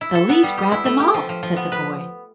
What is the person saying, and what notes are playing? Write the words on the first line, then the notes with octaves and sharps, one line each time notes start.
"The leaves grabbed them all," said the boy.
E4
A4
B3
G3
G4
E4
A3
G4
F3
F3
F3
B3
B4